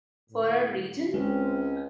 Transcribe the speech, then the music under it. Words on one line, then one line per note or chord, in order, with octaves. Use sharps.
For our region?
A2
C#2 G#3 C4 C#4